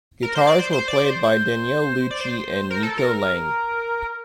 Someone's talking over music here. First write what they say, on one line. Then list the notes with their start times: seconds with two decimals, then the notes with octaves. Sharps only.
Guitars were played by Daniele Lucci and Nico Lange.
0.23 A#4
0.35 C5
0.47 D5
0.59 C5
0.73 C5
0.88 D5
1.05 C5
2.11 D5
2.21 C5
2.70 A#4
2.83 A4
2.98 A#4